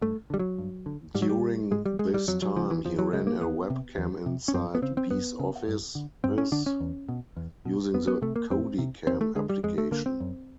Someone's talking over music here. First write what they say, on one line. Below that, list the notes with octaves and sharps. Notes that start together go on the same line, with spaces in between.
During this time, he ran a webcam inside Be's offices using the CodyCam application.
G2 A3
D3 G3
F#3
G2
D3
G#2 G3
F#3
G3
G#2 G#3
G3
G#3
G3
F2 F#3
F#3
C#3 F3
E3
F2 F3
F#3
C#3 G#3
A#3
E2 B3
C3
E2
C3
C#4
F#2 C4
B3
C#3 C4
C4
F#2 B3
C#3
G2
D3
G2 C4
C#4
D3 D4
C#4
E2
B2
E2
B2
F2 B3
B3
C3 A3
A#3
F2 C4
C3
F2 C4
A3
D3 G#3
G3
F2 G#3
A3
D3 A#3
C4
F#2